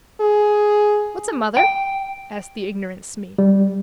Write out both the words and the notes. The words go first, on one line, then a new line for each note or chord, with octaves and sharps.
"What's a mother?" asked the ignorant Smee.
G#4
G5
G3